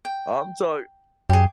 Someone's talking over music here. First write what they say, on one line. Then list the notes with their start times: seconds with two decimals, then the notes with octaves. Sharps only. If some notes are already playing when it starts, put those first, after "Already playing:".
I'm sorry
0.05 G5
1.30 F#2 G4 G#4